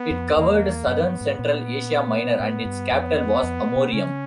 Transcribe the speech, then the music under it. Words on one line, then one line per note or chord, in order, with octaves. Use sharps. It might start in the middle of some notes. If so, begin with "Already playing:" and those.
It covered southern central Asia Minor, and its capital was Amorium.
Already playing: B3
F2
E2 A#3
F#2 B3
G2
G#2
A#2
A2
G2
F2 B3
F2
B2
C#3 C#4